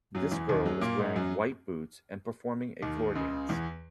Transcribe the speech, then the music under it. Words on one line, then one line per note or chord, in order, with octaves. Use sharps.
This girl is wearing white boots, and performing a floor dance.
F#2 F#3
E2 E3
D#2 D#3
F#2 F#3
A#2 A#3
G#2 G#3
F#2 F#3
D#2 D#3
C#2 C#3
E2 E3